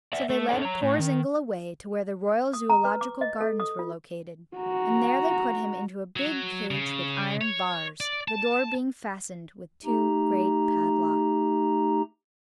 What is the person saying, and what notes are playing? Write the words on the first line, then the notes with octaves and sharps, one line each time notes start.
So they led poor Zingle away to where the Royal Zoological Gardens were located, and there they put him into a big cage with iron bars, the door being fastened with two great padlocks.
D5 E5 F#5
A3
B3 D4 A4 C#5 D5 G5
C#5 A#5
A2
D#3
D#6
A#5
B4
D6
D#5
A4
D#6
F4
F#4 A#5
F#3
C#3
C#5
D5
A5
A3 D#4 G4 A#5